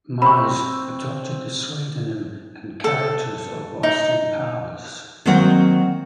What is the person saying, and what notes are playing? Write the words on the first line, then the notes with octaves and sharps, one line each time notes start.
Myers adopted the pseudonym and character of Austin Powers.
C4 B5 C#6
A4
D#4
D#3 F#3 A#3 C4 F#4 F#5